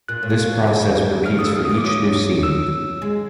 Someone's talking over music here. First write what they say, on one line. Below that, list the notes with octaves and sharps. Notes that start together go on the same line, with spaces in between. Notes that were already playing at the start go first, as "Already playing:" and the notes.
This process repeats for each new scene.
A#2 F#6
A2
A#2
B2
C#3
C#3 F6
D3 D#6
E6
D#3
D#6
E3
D6
F#3 D#6
E6
G#3